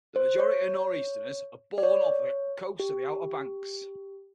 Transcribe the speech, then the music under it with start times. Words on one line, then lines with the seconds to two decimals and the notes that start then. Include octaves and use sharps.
The majority of nor'easters are "born" off the coasts of the Outer Banks.
0.16 C5
0.40 C#5
1.78 D5
1.83 C#5
2.80 G4